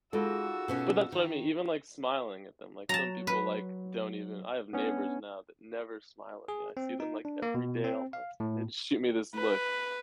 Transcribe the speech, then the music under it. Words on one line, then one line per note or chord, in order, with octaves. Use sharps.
But that's what I mean, even, like, smiling at them, like, some people, like, don't even I have neighbors now that never smile at me, I see them, like, every day almost, and they just shoot me this look.
G#3 D#4 F4 F#4 G#4 A4 E6
B2 B3 C#4
D#3
F#3 A5 A#5
B4
B3 C#4 D4
G#4
C4
D#4
D4
A#3
B2
C4
F5
A2
B4